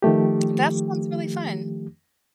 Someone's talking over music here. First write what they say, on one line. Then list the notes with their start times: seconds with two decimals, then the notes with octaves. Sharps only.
That sounds really fun.
0.02 D#3 F3 A3 G4